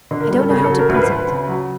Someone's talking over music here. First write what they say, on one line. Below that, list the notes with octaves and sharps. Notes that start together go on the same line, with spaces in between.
I don't know how to put it.
D3
A#4
G3
A4
C#3 G#4
A4
F#3
A#4
D2
B4
C5
D2 B4
C#3
F#3